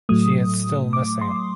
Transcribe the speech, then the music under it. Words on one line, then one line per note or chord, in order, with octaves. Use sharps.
She is still missing.
A2 F#3 A3 D#6
D6
C6